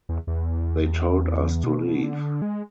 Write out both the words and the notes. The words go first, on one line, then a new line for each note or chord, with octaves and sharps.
They told us to leave.
E2
E2
B2
D3
G#3